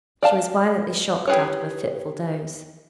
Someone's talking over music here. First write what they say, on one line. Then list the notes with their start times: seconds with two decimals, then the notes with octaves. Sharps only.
She was violently shocked out of a fitful doze.
0.23 D5 F5 A5
1.27 E4 G4 G#4 B4 C#5